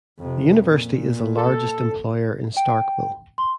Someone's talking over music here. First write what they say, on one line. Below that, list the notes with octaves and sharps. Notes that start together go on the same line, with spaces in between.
The university is the largest employer in Starkville.
F2 C3
A#2
A4
G5
C6